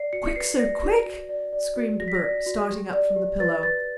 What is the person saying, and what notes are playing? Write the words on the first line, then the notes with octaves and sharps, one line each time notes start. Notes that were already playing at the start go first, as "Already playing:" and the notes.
"Quick, sir--quick!" screamed Burke, starting up from the pillow.
Already playing: D5 C7
F#4 C#7
C#7
B4 C7
D5 A#6
F#4
F#4
D5
D5
F#4
F#4 A#6
B6
A#6
D5
F#4
G4
D5
G4
B4 A6
B4 A6